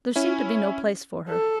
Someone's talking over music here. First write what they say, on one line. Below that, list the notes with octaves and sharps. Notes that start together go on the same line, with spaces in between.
There seemed to be no place for her.
C#4 E4
A4